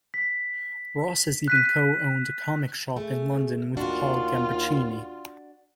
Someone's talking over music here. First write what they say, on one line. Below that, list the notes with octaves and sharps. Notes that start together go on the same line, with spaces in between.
Ross has even co-owned a comic shop in London with Paul Gambaccini.
B6
F#6 B6 D#7
A3 G#4
D#2 D4 F4 F#4